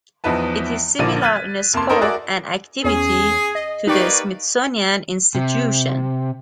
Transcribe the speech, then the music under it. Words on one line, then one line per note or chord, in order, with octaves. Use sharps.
It is similar in scope and activity to the Smithsonian Institution.
E2 F3 D#4 E4 B4 A5
A#1 D3 F3 A#3 D5 D#7
F6 F#6 G#6 A6 B6 D#7
F1 A#3 A5 C6
C#4 D#4 A4 A#4 C5
F#4 G#4 A#4 D5 E5
E2 C#4 G#4
D#5
A#3 D#4 G4 B4 D5 C#6
C3